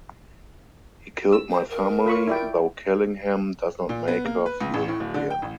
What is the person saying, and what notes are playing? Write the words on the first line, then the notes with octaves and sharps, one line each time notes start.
He killed my family, though killing him does not make her feel happier.
E6
C5
A#4
F4 B5 C#6
E4 D5 G5
A#2
B3
A#3
B4
C#2
A1
A2
D1
D3
G5
A1